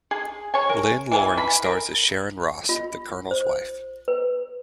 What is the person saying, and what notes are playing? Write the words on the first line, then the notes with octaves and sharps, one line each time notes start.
Lynn Loring stars as Sharon Ross, the Colonel's wife.
G#4
C#5 G#5
A#4
E3 G#5
B5
A#4
F4
C5
B4